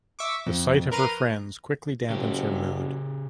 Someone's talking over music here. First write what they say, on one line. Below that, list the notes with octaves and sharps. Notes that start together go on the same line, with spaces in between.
The sight of her friends quickly dampens her mood.
E5 C#6 D6
F2
A#4 B4 A#5 C6 F6 D#7
F#1 C#3 G4